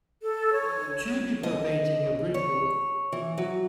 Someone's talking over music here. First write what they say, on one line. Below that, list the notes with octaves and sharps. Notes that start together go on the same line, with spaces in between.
Two people painting a brick wall.
A4
C#5
D#5
C#5
E3
F#3